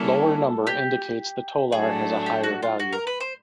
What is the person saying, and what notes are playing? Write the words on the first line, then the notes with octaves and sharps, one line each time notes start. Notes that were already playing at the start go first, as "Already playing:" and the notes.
Lower number indicates the tolar has a higher value.
Already playing: G3 A#3 C#4 E4 A4
G4
A2 F#3 A3 D4 G#4
G4
F#4
F4
F#4
A#4
B4
C5